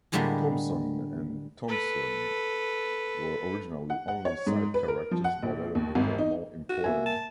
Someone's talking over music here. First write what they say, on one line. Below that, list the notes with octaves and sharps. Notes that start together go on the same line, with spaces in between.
Thomson and Thompson were originally only side characters but later became more important.
A2 D3 G3 G#3 A#3 B3
A4 B4
F#5
F#5
C#5
G#2
B4
A#4
F3
F#5
A#1
D#2
G#1
D#4
F#4
A#3 E5 G#5
A5